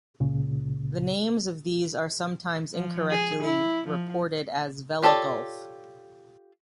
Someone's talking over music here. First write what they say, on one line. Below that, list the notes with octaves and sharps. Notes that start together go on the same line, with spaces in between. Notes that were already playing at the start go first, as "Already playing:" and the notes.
The names of these are sometimes incorrectly reported as "Vela Gulf".
C#2 A#2 C#3
F3
G#4
E4
F3
F4 G4 A4 C#5 D5